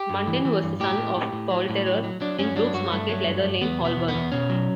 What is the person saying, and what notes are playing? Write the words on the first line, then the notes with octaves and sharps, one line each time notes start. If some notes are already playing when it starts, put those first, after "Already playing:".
Munden was the son of a poulterer in Brook's Market, Leather Lane, Holborn.
Already playing: G4
G2
E3
E3
G2
A2 G4
A2
A2
A2
F#3
A2
F#3
F#3
F#3 D4
G2 C#4
F#3 D4
G2 F#4
G2 A3
F#3
G2
G2
E2 B3
B2
B3
E2
B3
E2
B2 C#4
F#3